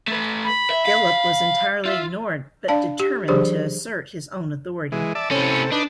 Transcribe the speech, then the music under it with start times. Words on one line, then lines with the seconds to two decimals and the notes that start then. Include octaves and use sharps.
Philip was entirely ignored but determined to assert his own authority.
0.08 A3 B4
0.44 B5
0.70 E5
0.85 F5
1.85 F4 E5
2.68 D4 D5 F5 A5
3.00 G4
3.28 E3 F#3 D4 G4 G#4 C5
4.92 E3 G#3
5.15 D5 E5 A5
5.31 C3 C#4 E4 A4
5.72 D4 D#4 B4